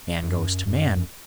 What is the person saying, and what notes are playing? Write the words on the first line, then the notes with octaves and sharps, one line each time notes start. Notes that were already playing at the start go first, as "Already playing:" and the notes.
Man goes to Man!
F2
F#2
F#2
F#2